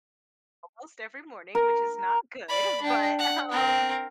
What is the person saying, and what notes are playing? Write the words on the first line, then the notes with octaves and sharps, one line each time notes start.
almost every morning, which is not good, but, um,
A#4
D5 B5
D4 G5
F#5
C4 A#4